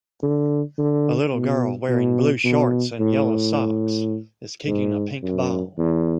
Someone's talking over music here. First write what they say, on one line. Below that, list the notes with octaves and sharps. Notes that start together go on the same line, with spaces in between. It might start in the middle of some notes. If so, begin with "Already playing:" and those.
A little girl wearing blue shorts and yellow socks is kicking a pink ball.
D3
D3
B2
B2
B2
A2
G#2
F#2
E2